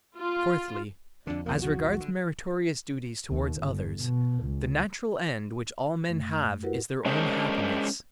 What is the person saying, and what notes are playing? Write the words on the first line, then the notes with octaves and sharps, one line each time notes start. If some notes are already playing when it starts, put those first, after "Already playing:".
Fourthly, as regards meritorious duties towards others: The natural end which all men have is their own happiness.
F4
F2 D3 D4
B1 E2 F3 A#3
F#4
D3
D#2
G1
B2
C#2
F#2 A3
E4 F#4 G4 A#4 B4 F#5
G#3 C#4 D4 G#4 A#4 C5